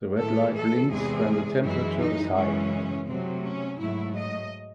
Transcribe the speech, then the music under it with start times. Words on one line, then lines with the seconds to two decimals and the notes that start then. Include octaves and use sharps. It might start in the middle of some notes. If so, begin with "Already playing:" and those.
The red light blinks when the temperature is high.
0.18 A2 E3 G#3 A4
0.54 A4
0.89 E2 C3 E3 G#3 G#4
1.62 F#2 E3 G#3 E4
1.98 D#4
2.34 F#2 C#3 E3 G#3 C#4
3.06 C3 F#3 A3 C4
3.43 C#4
3.78 G#2 F#3 A3 E4
4.15 D#5